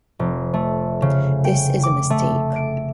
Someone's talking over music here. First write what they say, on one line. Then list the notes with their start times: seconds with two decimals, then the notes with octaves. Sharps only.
This is a mistake.
0.19 F1
0.54 A3
1.02 C#3
1.45 G5
1.83 D6
2.10 A3
2.56 D7